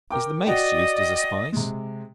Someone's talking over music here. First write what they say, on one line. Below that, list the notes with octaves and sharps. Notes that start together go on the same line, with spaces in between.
Is the Mace used as a spice?
A#4 G5 D6
F#4 D5 D#5 F#5 G5
C3 G#3